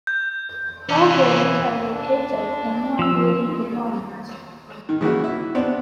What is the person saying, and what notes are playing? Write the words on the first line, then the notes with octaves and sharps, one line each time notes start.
All grades are located in one building in Laurens.
G6
C3 E3 C#4
D4
F3 E6
D#3
C#3 E3 A#3 F#4
E4
B3 C4 D4